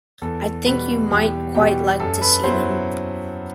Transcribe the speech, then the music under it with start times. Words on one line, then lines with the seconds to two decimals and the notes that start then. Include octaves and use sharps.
I think you might quite like to see them.
0.22 E2 A4 A5
0.66 B2 G3 B3 B4 B5
1.10 E2 G4 G5
1.55 B2 G3 B3 G4 G5
2.00 F#2 A4 A5
2.21 B4 B5
2.43 F#3 B3 E4 C5 C6